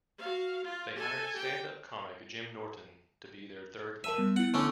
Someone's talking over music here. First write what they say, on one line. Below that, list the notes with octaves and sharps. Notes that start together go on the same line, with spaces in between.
They hired stand up comic Jim Norton to be their third mic.
F#4 F5
F4
A4 G#5
G4 G5
A#4 E5 A5 D#7
G3 B3
B3 E4 F#5
D3 A3 C#4